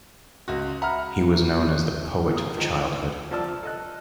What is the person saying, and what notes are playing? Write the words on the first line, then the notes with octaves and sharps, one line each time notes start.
He was known as the poet of childhood.
C#2 F#4
E5 F#5 A#5 B5 F6
A#3 D#6
D#3 F3 G#3
E3
C2 F3 D5 A5 E6 F6
A4 D#5 F#6